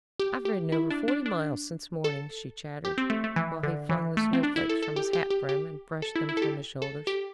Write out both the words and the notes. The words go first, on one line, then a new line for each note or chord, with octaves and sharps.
"I've ridden over forty miles since morning," she chattered, while he flung the snow flakes from his hat brim and brushed them from his shoulders.
G4
G4
E4
D4
D4
D4
A4
G4
C4
A3
A3
E3
D3
E3
A3
C4
D4
E4
A4
A4
G4
G4
G4
G4
A4
E4
E4
A4
G4
A4
G4